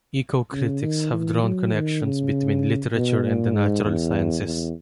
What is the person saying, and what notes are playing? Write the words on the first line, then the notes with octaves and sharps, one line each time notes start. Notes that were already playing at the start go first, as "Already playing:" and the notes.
Ecocritics have drawn connections between literature and the natural sciences.
C#3
D#3
E3
F#3
D#3
C#3
B2
A#2
G#2
E2
E2